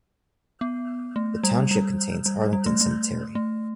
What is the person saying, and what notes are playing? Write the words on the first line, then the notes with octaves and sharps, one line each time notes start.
The township contains Arlington Cemetery.
B3
A3
G3
G3
G3
G3
A3
A3
A3